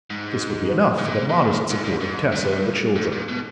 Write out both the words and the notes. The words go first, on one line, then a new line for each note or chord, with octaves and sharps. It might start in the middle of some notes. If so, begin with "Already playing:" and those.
This would be enough for the modest support of Tessa and the children.
G#2
A#2
B2
B2
A#2
G#2
G2
G#2
G2
G#2
A#2
B2